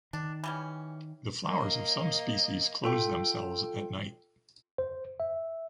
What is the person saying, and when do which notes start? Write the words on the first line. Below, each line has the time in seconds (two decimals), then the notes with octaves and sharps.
The flowers of some species close themselves at night.
0.13 D#3 D4
0.44 E3 G3 C#4
1.45 A#3 D#5
2.84 F4 A4 G5
4.78 C5
5.20 E5